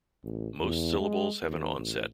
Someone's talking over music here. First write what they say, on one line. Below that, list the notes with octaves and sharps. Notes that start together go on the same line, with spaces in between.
Most syllables have an onset.
A1
E2
G#3
D#2
A1